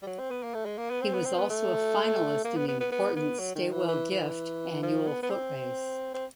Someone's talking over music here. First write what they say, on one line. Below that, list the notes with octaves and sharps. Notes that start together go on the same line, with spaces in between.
He was also a finalist in the important Stawell Gift annual foot race.
G3
F#3
C4
B3
A#3
A3
G#3
A#3
B3
C4
B3
C4
B3
A3
A#3
B3
B3
B3
B3
B3
F#3
D#3
E3
E3
E3
F3
B3
B3
C4
C4